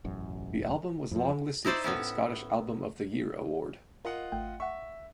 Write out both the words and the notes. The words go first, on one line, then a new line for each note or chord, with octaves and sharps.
The album was longlisted for the Scottish Album of the Year Award.
E1 A1 F#2
F2 F3
D#4 E4 C5 D5 D#5
A2 B3 C#4 E4
F4 A#4 D#5 F#5
G#1 A3 G5
E5 F#5 C#6